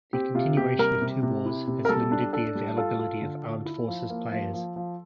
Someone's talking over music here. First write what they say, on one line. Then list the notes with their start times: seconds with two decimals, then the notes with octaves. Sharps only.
The continuation of two wars has limited the availability of armed forces players.
0.13 C4 G4
0.35 C3 F4
0.57 C3 G4
0.78 G3 A#4
1.02 C3
1.23 C3
1.45 E4
1.68 C3
1.85 A#4
1.89 G3 A4
2.12 D4
2.33 D4 A4
2.55 G3
2.77 F4 A4
2.99 F4
3.22 D3
3.44 F4
3.66 E4
3.88 F3
4.10 A#3
4.32 F3
4.54 F3
4.76 F3